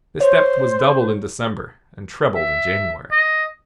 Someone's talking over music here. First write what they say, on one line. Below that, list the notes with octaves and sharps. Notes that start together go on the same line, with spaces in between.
This depth was doubled in December, and trebled in January.
C5 C#5
E5
D#5